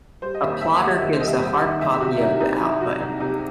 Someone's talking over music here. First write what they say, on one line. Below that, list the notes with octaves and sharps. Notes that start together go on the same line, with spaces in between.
A plotter gives a hard copy of the output.
G3 C5
D#5
D#2 E5
D#2 E5
G3 F#5
D#2
C5
G3 D#5
E5
G3
F#5
D#3
C2 E5
G4
C3 F#4
E4
C2 D#4
C2 D#4
F#3 E4
F#3 F#4
C2 D#4
C3 D#4